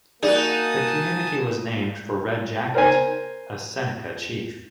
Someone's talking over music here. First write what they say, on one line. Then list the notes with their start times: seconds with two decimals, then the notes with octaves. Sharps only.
The community was named for Red Jacket, a Seneca chief.
0.23 A#3 D#4 F#4 G#4 D5 G#5 A5 D#6
2.75 A#4 C5 G#5